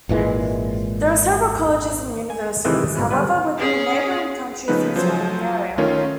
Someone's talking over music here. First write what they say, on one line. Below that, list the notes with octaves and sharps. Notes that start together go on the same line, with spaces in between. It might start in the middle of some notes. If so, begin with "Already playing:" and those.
There are several colleges and universities, however, within the neighboring counties and surrounding area.
G#1 A#2 E3 G#3
G#5
C3 D#3 E3 G#3 A3 C4
G#1 B2 G#3
D3 G3 B3 B4
C#4 G#4
C#3 F3 A3 B3 D#4 B4
F3 F#3 C5
D#3 A3 C#4 F4 A#4 C#5